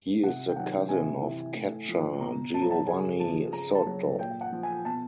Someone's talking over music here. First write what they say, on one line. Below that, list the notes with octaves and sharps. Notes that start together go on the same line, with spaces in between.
He is the cousin of catcher Geovany Soto.
C3 F#5
G5
D#3 F#3 F#5
C3 G#5
E3
A2
F3
B2 A#5
F#3 A5
A#5
A5
C#3 G#5
F3 A5
C#3 A#5
A5
F#3
A#2 G5
F#5
F3
G#5
B2 A5